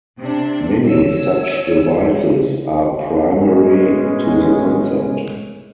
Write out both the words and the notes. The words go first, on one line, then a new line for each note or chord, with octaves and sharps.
Many such devices are primary to the concept.
C3 D4
C#5 E6
A2 G#3 B3 C#4